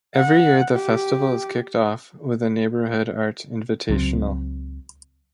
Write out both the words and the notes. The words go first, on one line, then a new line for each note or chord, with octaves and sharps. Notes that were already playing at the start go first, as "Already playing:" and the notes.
Every year the festival is kicked off with a neighborhood art invitational.
F#5
G4
C#2 F#3 C4